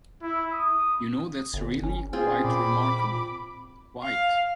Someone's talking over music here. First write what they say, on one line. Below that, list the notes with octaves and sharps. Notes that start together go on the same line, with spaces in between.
You know that’s really quite remarkable — quite.
E4
D#6
G1
C#4
C4 F4 G#4
A#2 B5 D6
F5